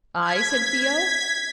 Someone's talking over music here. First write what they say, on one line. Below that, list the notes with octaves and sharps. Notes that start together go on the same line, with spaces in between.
"I?" said Theo.
G#6 B6